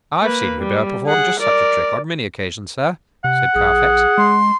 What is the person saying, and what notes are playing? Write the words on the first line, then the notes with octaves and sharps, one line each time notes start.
"I have seen Hubert perform just such a trick on many occasions, sir," said Carfax.
A#3 B4
G3
G#4 F#5
A#4 D5
C3 F#5
A#1 G#4
G#3 C6